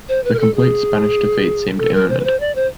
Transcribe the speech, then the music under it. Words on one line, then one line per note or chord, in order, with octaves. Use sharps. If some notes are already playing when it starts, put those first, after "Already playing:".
The complete Spanish defeat seemed imminent.
C5
B4
A#4
A4
G#4
A4
A#4
C5
B4
C5
D5
C5